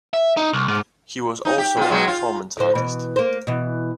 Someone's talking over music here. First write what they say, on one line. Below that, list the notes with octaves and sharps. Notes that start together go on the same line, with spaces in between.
He was also a performance artist.
E5
D#4
C2
G#2
D#4
G4
B2 F4
B2 F#3 G#3
F4
A2 D3 C5
B2 E3
A#3 C5
B2 E3